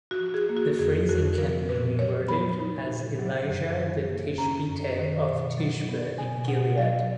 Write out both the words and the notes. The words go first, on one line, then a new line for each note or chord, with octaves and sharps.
The phrasing can be reworded as Elijah the Tishbite of Tishbe in Gilead.
F#4
F3
G#4
A#3
F#4
F2 G#4
F2 F#4
F3 A#4
A#2 B4
F#3 C#5
B3 B5
D#4
A#2
F#3
F#2
D#3
A#3
C#4 A#5
F#2
D#3
B2
F#3
B3
B2 G#5
B2 F#5
F#3 F5